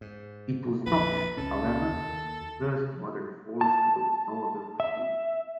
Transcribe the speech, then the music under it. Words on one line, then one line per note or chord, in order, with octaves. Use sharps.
It was not, however, the first modern four-stroke snowmobile produced.
G#2
A#1 F2 B4
C#2 C3 C#4 A4
D#2 D#3
A5
E5